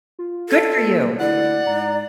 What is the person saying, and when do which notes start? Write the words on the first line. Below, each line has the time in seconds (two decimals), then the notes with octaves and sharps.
Good for you.
0.19 F4
0.49 A4
0.83 A#3
1.20 D2 E4 D5 F#5
1.66 G#2 A#5